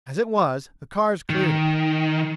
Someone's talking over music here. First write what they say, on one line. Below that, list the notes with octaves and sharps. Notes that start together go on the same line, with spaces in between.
As it was, the cars cleared it.
D#3